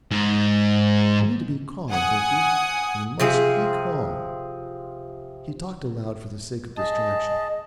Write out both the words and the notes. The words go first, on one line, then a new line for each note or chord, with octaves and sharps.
'We need to be calm, Binkie; we must be calm.' He talked aloud for the sake of distraction.
G#2
F#5 G#5 D#6
C3 F3 G#4
G#4 D#5 A5